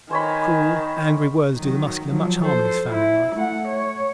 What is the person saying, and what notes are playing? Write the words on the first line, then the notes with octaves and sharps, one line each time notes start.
Cruel, angry words do the Muscular much harm in his family life.
D#3 C5 C#5 G#5 B5
D#3 F#3
F3 F#3
A4 C5
E4
A3 F#5
C#5